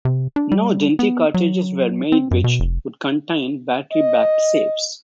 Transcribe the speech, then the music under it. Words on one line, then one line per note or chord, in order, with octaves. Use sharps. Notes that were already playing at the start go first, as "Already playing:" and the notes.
No Dendy cartridges were made which would contain battery-backed saves.
C3
D4
G3
B3
F#3
C4
F#2
B2
F1
D#5